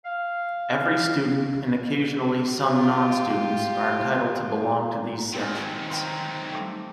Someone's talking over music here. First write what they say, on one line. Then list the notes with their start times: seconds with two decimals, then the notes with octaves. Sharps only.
Every student, and occasionally some non-students, are entitled to belong to these sections.
0.03 F5
2.72 F4 G4
5.33 D#3 F#3 G#3 C4
5.91 C5 G5 A#5
6.51 A3 D6